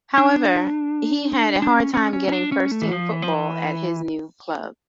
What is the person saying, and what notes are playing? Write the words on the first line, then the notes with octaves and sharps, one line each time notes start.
However, he had a hard time getting first-team football at his new club.
D4
D4
C#4
C#4
C#4
C#4
D4
C#4
A3
E3
F3
E3
F3
E3